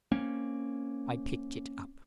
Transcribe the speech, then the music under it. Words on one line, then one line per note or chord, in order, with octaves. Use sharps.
I picked it up.
A#3 C4 C#4